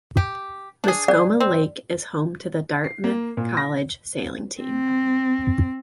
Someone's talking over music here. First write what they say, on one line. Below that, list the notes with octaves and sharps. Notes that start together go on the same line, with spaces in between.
Mascoma Lake is home to the Dartmouth College sailing team.
G4
D4 G#4
D5
C4
C7
A#3
A#2
A#6
C4